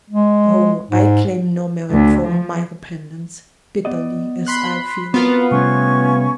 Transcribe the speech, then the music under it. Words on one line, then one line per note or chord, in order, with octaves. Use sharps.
Oh, I claim no merit for my repentance, bitterly as I feel it!
G#3
G#2
D2
F3
B3 D5 D#5
B5 C6 F#6
B3 C4 F4 F#4 A#4 B5
C3 G3 A3 C#4 G#5 C#6